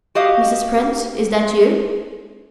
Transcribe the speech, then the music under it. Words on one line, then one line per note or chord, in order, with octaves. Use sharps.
"Mrs. Prince, is that you?"
F#4 G4 D#5 F5